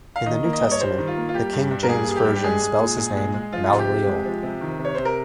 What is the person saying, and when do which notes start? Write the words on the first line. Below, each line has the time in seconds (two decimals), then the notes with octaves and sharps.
In the New Testament, the King James Version spells his name Maleleel.
0.16 F5
0.26 D#3 D#5
0.44 A#3
0.53 D#5
0.62 G2
0.71 C#5
0.80 G3 C5
0.98 D#3
1.07 F4
1.17 A#3
1.29 F4
1.34 G3 G4
1.53 G2
1.71 G2
1.83 A#4
1.89 A#3 G#4
2.07 G3 G#4
2.16 G4
2.25 G2
2.36 G4
2.44 G#3 G#4
2.61 G#3
2.80 A#2
2.98 A#2
3.16 G#3
3.34 G#3
3.53 F3 F4
3.71 C3
3.79 G4
3.89 C3
4.07 G#3
4.25 F3
4.43 C3
4.61 D#3
4.79 C3
4.85 C#5
4.95 C3 C5
5.05 A#4